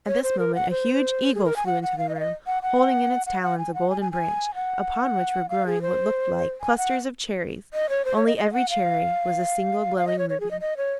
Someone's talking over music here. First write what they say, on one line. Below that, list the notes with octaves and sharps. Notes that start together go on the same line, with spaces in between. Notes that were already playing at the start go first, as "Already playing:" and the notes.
At this moment a huge Eagle flew into the room, holding in its talons a Golden Branch, upon which were growing what looked like clusters of cherries, only every cherry was a single glowing ruby.
C#5
C5
A#4
F#5
C5
G#4
A#4
G#5
F#5
F#5
F5
D#5
F5
D#5
F#5
F#5
F#5
F#5
G#5
F#5
G#5
G#5
G#5
F#5
F5
G#4
C5
G#5
F#5
D#5
C#5
C5
C#5
D#5
D#5
F#5
F5
F5
D#5
C#5
C#5
G#4
D#5
D#5
C#5